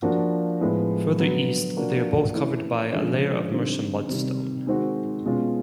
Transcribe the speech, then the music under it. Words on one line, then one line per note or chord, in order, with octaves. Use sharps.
Further east, they are both covered by a layer of Mercia Mudstone.
F3 A#3 D4 F#4
A2 F3 G#3 B3
D3 F#3 B3
F3 A#3 D4 F#4
E3 A3 C#4 E4
D3 F3 G#3 C#4
D3 G3 C4 D#4
C3 D#3 G3
D#3 G#3 C4 D#4 F#4
B2 G#3 C#4 F4